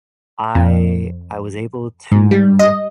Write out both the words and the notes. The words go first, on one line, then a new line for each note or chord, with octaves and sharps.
I I was able to
F2
G#2
G3
D#5